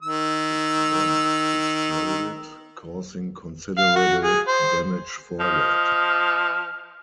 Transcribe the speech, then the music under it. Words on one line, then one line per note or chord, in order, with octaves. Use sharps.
Its bomb exploded, causing considerable damage forward.
D#3 E6
F5
F#4
G#4
C5
F3 D#5 F6